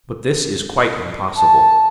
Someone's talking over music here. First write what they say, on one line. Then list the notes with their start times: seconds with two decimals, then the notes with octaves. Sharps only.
But this is quite impossible.
1.37 A5